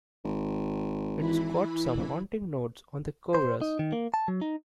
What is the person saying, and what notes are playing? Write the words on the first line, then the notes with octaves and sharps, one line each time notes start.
It's got some haunting notes on the chorus.
G#1
E3 E4 B5
C5
D#4
D#3
A#3
A5
F#3
D#4